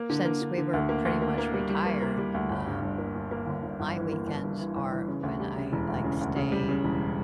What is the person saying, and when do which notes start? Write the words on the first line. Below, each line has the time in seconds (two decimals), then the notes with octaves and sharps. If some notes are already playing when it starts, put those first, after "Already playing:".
since we were pretty much retired, um, my weekends are when I, like, stay
Already playing: A#3
0.10 D3
0.25 A#3
0.42 D3
0.58 D3
0.73 D2
0.89 A#3
1.05 D2
1.22 A#3
1.38 A#3
1.54 G3
1.69 G3
1.86 A#3
2.02 A#3
2.18 G3
2.34 D2
2.50 G1
2.67 G2
2.82 G1
2.98 A#3
3.15 G1
3.31 A#3
3.47 G1
3.63 G1
3.80 G1
3.96 E3
4.11 A#3
4.27 G1
4.43 G2
4.59 E3
4.76 G1
4.92 E3
5.08 C#3
5.23 D2
5.40 G3
5.55 C#3
5.73 E1
5.88 D2
6.04 C#3
6.21 D2
6.36 C#3
6.52 G3
6.69 C#3
6.84 E1